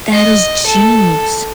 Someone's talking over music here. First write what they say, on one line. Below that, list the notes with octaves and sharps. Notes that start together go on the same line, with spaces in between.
That is genius.
D#5
A4